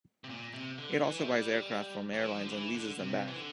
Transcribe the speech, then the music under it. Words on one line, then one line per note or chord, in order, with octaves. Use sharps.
It also buys aircraft from airlines and leases them back.
C3
A#2
C3
D3
E3
A3
G3
E3
F3
D3
E3
D3
C3
E3
D3